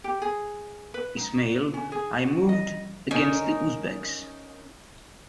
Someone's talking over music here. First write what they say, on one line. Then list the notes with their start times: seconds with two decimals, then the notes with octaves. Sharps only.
Ismail I moved against the Uzbeks.
0.04 G4
0.22 G#4
0.94 B4
1.17 D#4
1.74 C#4
1.92 G#4
2.19 F#4
2.49 D#5
3.11 C#4 D#4 A#4